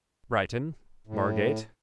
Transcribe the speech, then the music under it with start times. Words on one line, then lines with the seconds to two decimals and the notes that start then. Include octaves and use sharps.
Brighton, Margate.
1.07 A2